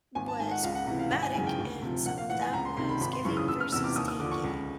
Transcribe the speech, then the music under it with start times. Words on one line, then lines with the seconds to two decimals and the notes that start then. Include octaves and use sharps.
was problematic in some of them was giving versus taking,
0.15 G#1 G#5
0.28 A5
0.40 G#2 D#3 G#5
0.51 F#5
0.63 C#2 F5
0.75 F#5
0.87 C3 F#5
0.91 E3
0.99 F5
1.11 G#1 F#5
1.22 G#5
1.34 F#2 C#3 E3 G#5
1.47 G5
1.58 D2
1.82 C3 F3
2.06 A#1 F#5
2.18 F5
2.29 A2 E3 F#5
2.42 G#5
2.53 C#2 A#5
2.65 C6
2.77 C3 D#3 C6
2.89 B5
3.01 G#1 B5
3.13 C6
3.25 F#2 C#3 E3 C#6
3.37 D#6
3.48 F#1 E6
3.60 F6
3.72 E2 E6
3.76 C3
3.84 D6
3.96 D#2 D#6
4.08 D#6
4.19 D3 D6
4.23 F3
4.31 C#6
4.44 C#2